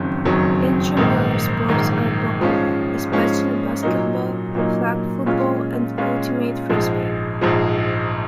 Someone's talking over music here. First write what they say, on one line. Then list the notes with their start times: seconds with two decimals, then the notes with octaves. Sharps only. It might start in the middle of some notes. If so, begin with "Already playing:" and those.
Intramural sports are popular, especially basketball, flag football, and ultimate frisbee.
Already playing: F#1 F2 D#3 F#3 C#4
0.25 F#1 F2 D#3 F#3 C#4
0.97 A#1 G#2 D#3 A#3
1.69 A#1 G#2 D#3 A#3
2.40 G#2 F3 G#3 C#4 F4
3.12 G#2 F3 G#3 C#4 F4
3.83 A#2 F#3 A#3 D#4
4.55 A#2 F#3 A#3 D#4
5.26 A#2 G#3 C#4 F4
5.98 A#2 G#3 C#4 F4
6.70 A#1 G#2 F3 G#3
7.41 A#1 G#2 F3 G#3